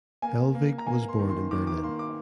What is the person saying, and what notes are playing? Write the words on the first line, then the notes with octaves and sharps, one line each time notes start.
Hellwig was born in Berlin.
A#3 G#5
A#3
A#5
A#3 G#5
C6
D#3
C6
D#3 D6
D6
A#3 C6
D6